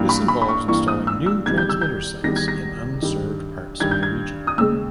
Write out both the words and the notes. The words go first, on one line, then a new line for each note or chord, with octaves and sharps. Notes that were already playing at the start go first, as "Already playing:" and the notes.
This involves installing new transmitter sites in unserved parts of the region.
Already playing: G2 E3 A#3
B5
B5
B5
C#6
G2 E3 A#3 C#6
D#6
E6
E6
E2 D#3 G3 G#6
G6
E6
G6
E2 D#3 G3 A#6
G#6
A#6
G2 D#3 G3
G2 D#3 G3 G#6
G6
G#6
D#6
D#2 C#3 G#3 E6